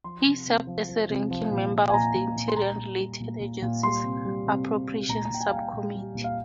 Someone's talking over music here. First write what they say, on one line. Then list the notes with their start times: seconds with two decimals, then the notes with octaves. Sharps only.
He served as the ranking member of the Interior and Related Agencies Appropriations Subcommittee.
0.04 F3 C6
0.25 C3
0.46 C3
0.67 F3
0.89 F3
1.10 C3
1.31 F3
1.51 A#2
1.72 F3
1.89 G#5
1.94 A#2 A#5
2.15 A#2
2.36 A#2
2.48 C6
2.56 A#2 A#5
2.77 A#2
2.99 G3
3.20 A#2
3.41 A#2
3.62 A#2
3.83 G3 C6
4.03 C3
4.25 G3
4.47 C3
4.68 C3
4.89 C3
5.09 A#2 A#5
5.25 A#5
5.31 A#2 G5
5.41 G#5
5.48 G3 F5
5.56 G5
5.73 A#2
5.94 G3
6.15 A#2
6.24 F5